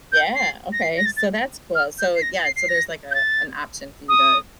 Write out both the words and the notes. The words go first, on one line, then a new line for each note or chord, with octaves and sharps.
Yeah, okay, so that's cool. So, yeah, so there's, like, a an option for you to
G6
C7
A#6
C7
A#6
A6
A6
F6
G6
C7
A#6
C7
C7
A#6
G6
A6
D#6